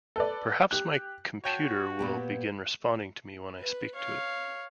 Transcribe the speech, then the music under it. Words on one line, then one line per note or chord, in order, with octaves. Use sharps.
Perhaps my computer will begin responding to me when I speak to it.
A4 B4 D5
G4 F#6
F#4 C#5 G5 A5
A#2 B3 G4
B4
C#5 F5